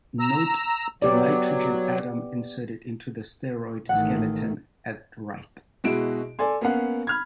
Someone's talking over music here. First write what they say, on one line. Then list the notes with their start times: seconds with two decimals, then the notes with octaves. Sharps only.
Note the nitrogen atom inserted into the steroid skeleton at right.
0.20 A#5 E6
1.02 F#3 B3 G4 D5
3.89 A1 D#3 A3 F#5
5.84 B2 G#3 E4 F#4 D7
6.39 A4 D5 G#5 C6
6.61 A#3 B3 C#4 F5 F#5
7.07 B5 F6 G#6